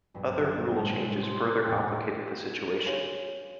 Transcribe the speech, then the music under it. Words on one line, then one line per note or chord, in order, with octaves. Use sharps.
Other rule changes further complicated the situation.
B1 G2
A2 C3 G#3 A4 A5 D#6
C6
E2 A2 C#4 F5 G5
F#4 G#4 C#5 F5 G#5 C#6